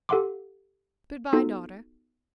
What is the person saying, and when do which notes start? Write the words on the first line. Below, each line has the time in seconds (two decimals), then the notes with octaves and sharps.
Good-bye, daughter.
0.09 G4 A4 F5 F#5 C6 D6
1.33 B3 D#4 F4 F#4 A4